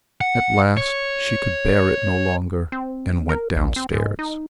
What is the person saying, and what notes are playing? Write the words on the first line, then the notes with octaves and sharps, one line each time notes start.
At last she could bear it no longer, and went downstairs.
F#5
C#5
C4
A#4
A#1
C4
G#2
D#4